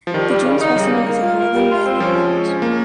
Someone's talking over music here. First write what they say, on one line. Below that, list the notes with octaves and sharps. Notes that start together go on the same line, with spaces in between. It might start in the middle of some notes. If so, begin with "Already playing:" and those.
The June specimen is a yearling male in moult.
F3
D#3 G3
G3
C#3
D#4
C#3 G3
A#3
A#3
F4
A#4
G3
F4
C4
F3 C#4
G#3
G#3
C#4
A#3